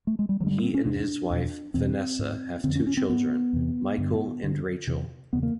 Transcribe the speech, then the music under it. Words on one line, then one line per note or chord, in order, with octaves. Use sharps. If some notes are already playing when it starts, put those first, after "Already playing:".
He and his wife, Vanessa, have two children, Michael and Rachel.
A3
G#3
G3
G2 D3 F#3 G#3
G3
C4
C#4
E2 C3 D4
E2 B2
E2 B2 C4
G#2
F2 D3 C4
C#4
C#4
C4
G#2 B3
E2 C3
G2 D3
G2 D3
E2 C3
E2 C#3 B3
A#3